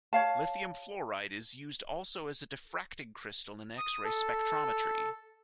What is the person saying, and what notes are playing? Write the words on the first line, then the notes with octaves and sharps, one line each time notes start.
Lithium fluoride is used also as a diffracting crystal in X-ray spectrometry.
C#5 F5 A5
D#6
A4